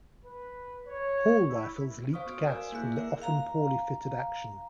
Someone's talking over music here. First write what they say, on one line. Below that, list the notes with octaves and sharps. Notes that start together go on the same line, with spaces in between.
Hall rifles leaked gas from the often poorly fitted action.
B4
C#5
E4
C5 F5 C#6 D#6 F6
B3 F#4 C5 D7
A#4 D5 G#5
A#3 E4 G#4 F#6
A#4 E5
F5 A#5